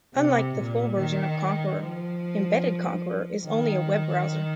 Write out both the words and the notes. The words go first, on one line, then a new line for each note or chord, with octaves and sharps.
Unlike the full version of Konqueror, Embedded Konqueror is only a web browser.
C3
A#2
D#3
F3
D#3